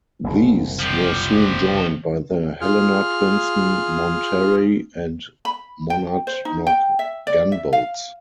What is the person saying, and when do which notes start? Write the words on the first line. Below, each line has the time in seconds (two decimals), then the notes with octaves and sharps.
These were soon joined by the "Helena", "Princeton", "Monterey" and "Monadnock" gunboats.
0.24 F#1 C2
0.80 F3 G4
2.61 F4 G#4 F6
5.45 B5
5.90 G5
6.27 C5
6.45 D#4
6.67 G5
6.99 E5
7.27 D5
7.52 E5
7.73 F5